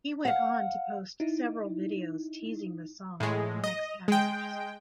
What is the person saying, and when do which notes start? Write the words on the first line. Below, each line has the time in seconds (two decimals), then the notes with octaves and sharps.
He went on to post several videos teasing the song in the next hours.
0.25 F5 F#5
1.20 D#4 E4
3.20 A2 G#3
3.64 D#5
4.08 G#3 G5